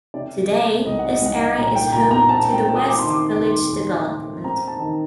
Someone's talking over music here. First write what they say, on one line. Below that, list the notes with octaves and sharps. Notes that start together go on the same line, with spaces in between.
Today this area is home to the West Village development.
C3 D5
C3
C2 D#5
F#5
D#5
C2 F#5
D#5
A#2 A#5
G5
A#2 A#5
A#5
C4 A5
G5
C4
D#6
D6
D#3 C6
D6
D#2
D#2
A3
C4 A#5
A5
D#3